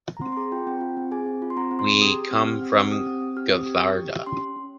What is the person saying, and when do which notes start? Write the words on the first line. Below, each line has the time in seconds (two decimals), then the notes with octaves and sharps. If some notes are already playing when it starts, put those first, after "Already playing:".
We come from Gavarda.
0.17 A#5
0.21 C4 C6
0.32 C6
0.36 G#4 A#5
0.52 F4 G5
0.67 C4 G5
0.81 F4
0.97 C4
1.11 G#4 G#5
1.26 C4
1.42 F4
1.50 C6
1.57 C4 A#5
1.71 C4
1.79 C6
1.87 G#4
2.01 G4 D#6
2.16 G4
2.31 C4
2.47 G4 F6
2.62 C4
2.77 C4
2.91 G4 D#6
3.07 C4
3.22 C4
3.37 G4 F6
3.51 C4
3.59 D#6
3.66 G4
3.81 G4 C#6
3.96 G4
4.12 G4
4.26 C#4 C6
4.41 C#4
4.56 C#4